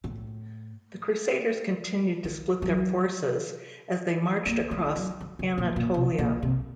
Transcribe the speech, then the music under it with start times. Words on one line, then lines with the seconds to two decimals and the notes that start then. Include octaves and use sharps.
The Crusaders continued to split their forces as they marched across Anatolia.
0.04 A2
2.25 D#3
2.62 F#3
4.46 A#3
4.71 A3
4.96 F#3
5.21 F3
5.39 C#3
5.58 A#2
5.76 A#2
5.94 C3
6.18 A#2
6.43 C3